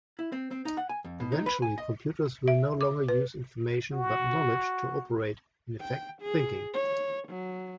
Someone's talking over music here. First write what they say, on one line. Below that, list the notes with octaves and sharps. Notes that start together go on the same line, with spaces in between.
Eventually computers will no longer use information but knowledge to operate, in effect "thinking".
E4
C4
C4
D#4
F#5
G#5
F2
B2
D#4
B4
G#5
D#5
E5
D6
B4
F#4
G5
G#4
C#5
F#3